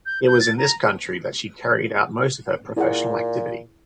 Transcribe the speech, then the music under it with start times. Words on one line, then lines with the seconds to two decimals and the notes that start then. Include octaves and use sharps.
It was in this country that she carried out most of her professional activity.
0.06 G6
0.27 G6
0.40 A6
0.58 A#5
2.76 A#2 E4 G#4 F#5